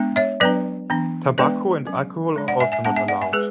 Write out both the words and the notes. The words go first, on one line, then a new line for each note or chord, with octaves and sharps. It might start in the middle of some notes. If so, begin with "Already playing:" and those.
Tobacco and alcohol are also not allowed.
Already playing: G#3 B3 D4
C#5 E5
F#3 B3 D4 B4 D5
E3 B3 D4
G#3 B3 D4 B4 D5
F#3 C#4
G#3 D4
D5 F#5
E5 G#5
E5 G#5
G#3 B3 D4 F#5 A5
E5 G#5
D5 F#5
E5 G#5
G#3 G#4 B4